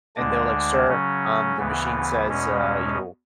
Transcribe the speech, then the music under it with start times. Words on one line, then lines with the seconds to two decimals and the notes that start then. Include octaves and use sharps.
and they're, like, "Sir, um, the machine says, uh, you know,
0.16 D2 D3 G#3 D4
0.86 C#3 F#3 C#4
1.57 D2 C#3 E3 B3
2.27 E2 B2 G#3 C#4